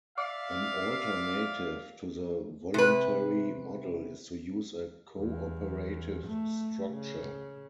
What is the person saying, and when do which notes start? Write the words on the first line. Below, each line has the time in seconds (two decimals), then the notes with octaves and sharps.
An alternative to the voluntary model is to use a co-operative structure.
0.18 D5 E5 F5
2.74 C3 B4
5.19 E2
6.27 A3
6.90 C#3